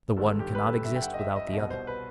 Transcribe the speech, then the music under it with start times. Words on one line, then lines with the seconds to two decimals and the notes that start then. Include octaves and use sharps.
The one cannot exist without the other.
0.17 G1 G2 D#3 A4
0.40 G4
0.55 B4
0.62 A4
0.85 E5
0.96 G5
1.02 F#5
1.14 D#5
1.19 E5
1.36 D#5
1.48 E5
1.53 C2 B2 D#5
1.70 C5
1.87 B4